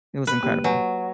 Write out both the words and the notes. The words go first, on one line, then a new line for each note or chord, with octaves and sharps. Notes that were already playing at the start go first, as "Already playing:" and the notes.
It was incredible.
B4
A#3 G4
F#3 B4 G#5